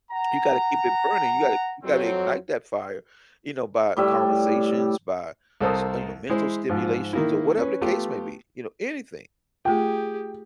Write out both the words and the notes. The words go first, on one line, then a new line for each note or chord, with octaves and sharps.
You gotta keep it burning. You gotta you gotta ignite that fire, you know, by conversations, by sh you know, mental stimulations or whatever the case may be, you know, anything.
F#5 A#5
F2 F#3 C4
A2 G3 E5
C2 A4 A#4 C5 A5 D#6
G#3 E4 C5
G#2 F3
D#3 A#3 E4
C#4 B4
A3 B3 F4 G4
A3 F4 G4 G#4 G5